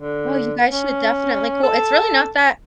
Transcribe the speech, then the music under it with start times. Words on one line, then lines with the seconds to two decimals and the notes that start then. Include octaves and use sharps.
Well, you guys should definitely cool it's really not that
0.01 D3
0.72 C#4
1.63 A4